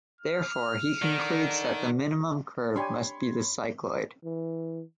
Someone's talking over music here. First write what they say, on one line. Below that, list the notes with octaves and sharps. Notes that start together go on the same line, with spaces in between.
Therefore, he concludes that the minimum curve must be the cycloid.
F6
D3 D#3
D4 G4 C#5 G#5 B5 C6
E3